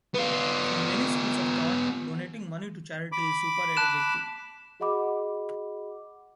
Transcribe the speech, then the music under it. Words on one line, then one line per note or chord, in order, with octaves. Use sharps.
In many schools of thought, donating money to charity is supererogatory.
B3 F4
B5 D6
A5 F#6 E7
F#4 G#4 D#5 F#5 B5 D6